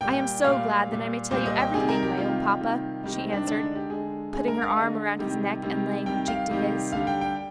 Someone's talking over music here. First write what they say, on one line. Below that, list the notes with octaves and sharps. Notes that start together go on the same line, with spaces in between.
"I am so glad that I may tell you everything, my own papa," she answered, putting her arm around his neck, and laying her cheek to his.
A#2 G3 G5
A#2 G3 F5
A#2 G3
A#2 G3 C5
D#5
G5
C3 D#3 G3 G#4
A#4
G4
C3 D#3 G3 F4
C3 D#3 G3
C3 D#3 G3 D#4
C4
D4
D3 G#3 D4
D#4
G4
D3 G#3 G#4
D3 G#3 G#4
A#4
F5
D3 G#3 D#5
C3 D#3 G3
C3 D#3 G3
C3 D#3 G3 G5
F5
C3 D#3 G3
D3 G3 F5
G5
G5